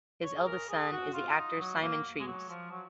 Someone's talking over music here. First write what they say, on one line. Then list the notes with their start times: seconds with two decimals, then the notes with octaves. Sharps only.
His eldest son is the actor Simon Treves.
0.23 C#5
0.36 G#4
0.46 A#4
0.69 G#4
0.91 F#4
1.14 F4
1.36 D#4
1.59 F#3
1.81 A#3
2.20 G#3
2.27 F#3
2.49 F3
2.72 F#3